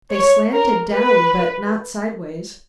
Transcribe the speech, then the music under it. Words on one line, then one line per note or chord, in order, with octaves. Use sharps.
They slanted down but not sidewise.
C#5
A#4
B4